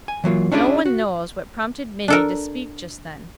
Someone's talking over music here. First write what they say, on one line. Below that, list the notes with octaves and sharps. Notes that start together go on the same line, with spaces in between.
No one knows what prompted Minnie to speak just then.
G#5
E3 F#3 A#3 F4
C#4 D4 E4 F4 G#4 D5
F#4
D4 A4 A#4